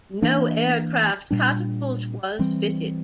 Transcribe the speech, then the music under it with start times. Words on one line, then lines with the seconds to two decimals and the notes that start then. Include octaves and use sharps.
No aircraft catapult was fitted.
0.22 E3 A#3 D4
1.31 A#2 G3 D4
2.39 E3 G3 C4